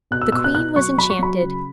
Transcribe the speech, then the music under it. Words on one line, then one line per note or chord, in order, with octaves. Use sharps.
The queen was enchanted.
B2 F#6
E6
B2 E6
F#6
B2 F#6
F#3 C#6
F#3 B5
C#6
F#3 B5
C#3